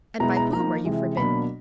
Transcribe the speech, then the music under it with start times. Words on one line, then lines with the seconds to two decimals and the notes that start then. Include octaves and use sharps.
"And by whom are you forbidden?"
0.20 B2 G#3 B3 E4 A#5
0.37 A#5
0.52 F3 A#3 D#4 A#5
0.85 C3 E3 G#3
1.17 B2 F#3 A#3 D4 B5